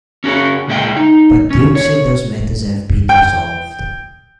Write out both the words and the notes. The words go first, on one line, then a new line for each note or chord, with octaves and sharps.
But Duke said those matters have been resolved.
C#4 F#4 G#4 C#5
C#2 A#2 G#3 D4 E5 G5
D#4
C#4
C#5
G5